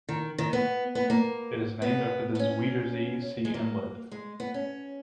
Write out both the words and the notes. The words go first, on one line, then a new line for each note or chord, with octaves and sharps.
It is named after the Zuiderzee sea inlet.
D#3
D#3
B3
B3
A#3
B3
B3
C#4
G#3
A#3
G#3
B3
C#4